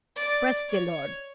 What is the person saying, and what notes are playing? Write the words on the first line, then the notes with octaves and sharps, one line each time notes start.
Bress de Lord!
D5
C#5